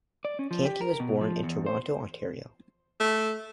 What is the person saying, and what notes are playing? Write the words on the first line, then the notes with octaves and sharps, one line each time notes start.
Tanti was born in Toronto, Ontario.
D5
C#4
F3
G4
A#4
B2
F3
E2
C5
A3